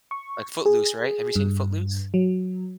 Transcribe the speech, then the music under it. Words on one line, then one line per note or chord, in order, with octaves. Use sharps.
Like, Footloose, right? Have you seen Footloose?
C#6
G#4
G2
F#3